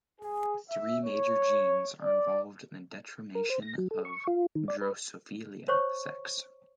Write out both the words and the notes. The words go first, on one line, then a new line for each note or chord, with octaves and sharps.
Three major genes are involved in determination of "Drosophila" sex.
G#4
E5
C#5
D5
A#4
C5
A#6
F#3
A4
C#6
F4
D#3
D5
B4
C5 C#5 C#6